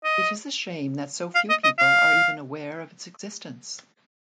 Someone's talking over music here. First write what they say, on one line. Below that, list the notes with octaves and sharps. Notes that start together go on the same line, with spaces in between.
It is a shame that so few people are even aware of its existence.
D#5
F5
D#5
D#5
F5